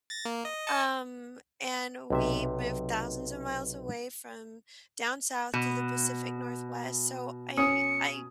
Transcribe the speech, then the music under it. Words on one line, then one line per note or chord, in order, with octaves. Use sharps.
um, and we moved thousands of miles away from down south to the Pacific Northwest. So I I
A6 A#6
A#3
D#5
D#5 A5 C#7
B1 C3 E5
B2
C#4 D#6 C#7